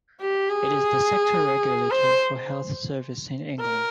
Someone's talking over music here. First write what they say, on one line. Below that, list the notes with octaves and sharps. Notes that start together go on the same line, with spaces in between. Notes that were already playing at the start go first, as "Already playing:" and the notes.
It is the sector regulator for health services in England.
G4
G#4
C5
A#4